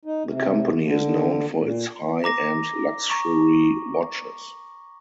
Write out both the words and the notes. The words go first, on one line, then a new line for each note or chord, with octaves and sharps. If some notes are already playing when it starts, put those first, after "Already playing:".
The company is known for its high end luxury watches.
D#4
C3
D3
A#2
A#5 D6 A#6
A#5 C#6